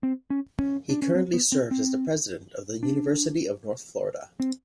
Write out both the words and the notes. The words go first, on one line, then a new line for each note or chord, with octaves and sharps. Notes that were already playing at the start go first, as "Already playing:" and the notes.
He currently serves as the president of the University of North Florida.
C4
C#4
C#4
D4
C#4
C4
B3
C4
C4
D4
C4